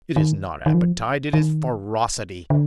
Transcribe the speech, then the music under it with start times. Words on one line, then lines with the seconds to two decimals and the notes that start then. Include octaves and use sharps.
It is not appetite, it is ferocity.
0.16 D#3
0.66 D#3
0.74 F3
1.33 D#3
2.50 D3